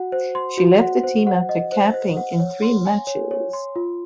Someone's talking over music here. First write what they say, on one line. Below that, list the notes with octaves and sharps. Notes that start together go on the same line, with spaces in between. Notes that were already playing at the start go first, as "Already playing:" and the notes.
She left the team after capping in three matches.
Already playing: F#4 F#5
C5
C6
F#4
F#5
C5
F#5
D#5
C5
C5
F#5
C#5
C6
G#5
C#5
C#5
C6
F4